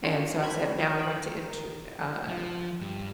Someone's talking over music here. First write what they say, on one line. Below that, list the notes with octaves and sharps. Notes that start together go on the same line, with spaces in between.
and so I said, “Now I want to enter “uh,
C#4 D#4 F4 F#4 A5
F#4 C#5 G5 B5 C6 G#6
G5 D#7 F#7
A#4 A#5
F3
G2